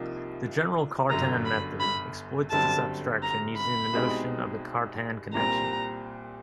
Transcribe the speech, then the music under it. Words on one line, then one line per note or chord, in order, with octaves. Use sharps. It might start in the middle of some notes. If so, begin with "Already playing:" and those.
The general Cartan method exploits this abstraction using the notion of a Cartan connection.
Already playing: C2 C3 F3 A#3 D#4
G1 F#2 D3 A#5
B5
B5
G1 F#2 D3 G3 C4 A5
A#5
B5
C2 B2 G#3 C4 D#4
C2 A#2 G3 C4 A#5